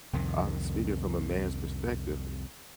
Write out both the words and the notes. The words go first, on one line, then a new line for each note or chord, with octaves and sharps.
I'm speaking from a man's perspective.
C2 F2 D#3